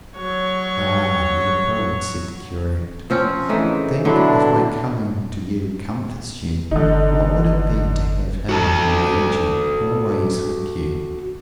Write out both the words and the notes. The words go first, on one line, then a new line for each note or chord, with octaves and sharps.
"Ah, Leopold!" said the curate, "think, if my coming to you comforts you, what would it be to have him who made you always with you!"
F#3 C#5
F3 C4 C#4
A2 C#3 E3 D#4
B2 D3 F#3 D4 E4
G1 D3 D#4
F#4 A4 A5